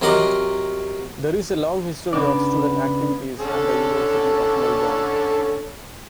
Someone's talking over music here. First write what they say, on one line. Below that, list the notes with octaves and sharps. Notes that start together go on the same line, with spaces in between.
There is a long history of student activities at the University of Melbourne.
C3 F#3 A#4 D#5 F#5 D6
C#3 B3 D4 D5
D3 C#4 A4